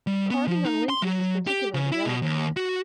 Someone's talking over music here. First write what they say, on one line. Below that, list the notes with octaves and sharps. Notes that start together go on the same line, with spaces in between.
Carving on lintels is particularly elegant.
G3
B3
F3
D#4
C6
F#3
G4
C#3
E4
B2
D#2
F#4